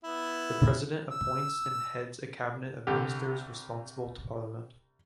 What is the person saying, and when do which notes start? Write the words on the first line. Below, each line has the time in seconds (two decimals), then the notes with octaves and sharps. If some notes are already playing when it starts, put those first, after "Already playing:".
The President appoints and heads a cabinet of ministers responsible to Parliament.
0.04 B3 E4
1.11 E6
2.87 C2 D3 G4